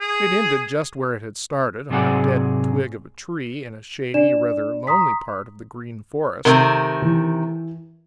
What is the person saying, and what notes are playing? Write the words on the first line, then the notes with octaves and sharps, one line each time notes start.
It ended just where it had started, on a dead twig of a tree in a shady, rather lonely part of the Green Forest.
G#4
G#2 C3 F#3 G#4 D5 F#5
D4 D5 E7
A#5 C6 D#6 B6
C3 D#3 A3 A#4
E3